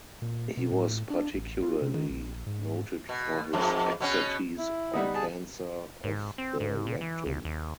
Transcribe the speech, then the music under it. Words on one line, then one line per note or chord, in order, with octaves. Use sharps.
He was particularly noted for his expertise on cancer of the rectum.
A#2
B2
A2
D4
A1
F4
C3
D#3
A#1
G#2
B2
F2 G#2
B2 B3 C#4
E4
G3 B3 D#4
G#4 A5
G#2
C4
G#2
A#2
E3
D2
D#2